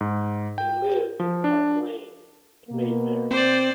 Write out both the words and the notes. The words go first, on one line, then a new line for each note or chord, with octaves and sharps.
They lived in Park Lane, Mayfair.
G#2
G5
F3
D4
B2 A#3
C4 C5 D5